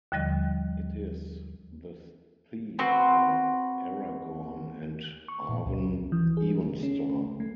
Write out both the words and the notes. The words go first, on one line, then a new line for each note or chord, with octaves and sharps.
It is the theme for Aragorn and Arwen Evenstar.
D#2 D3 F3 G3 D#5
C4 F#4 B4
C#6
A#2
C#2
E3
G#4
C#4
A3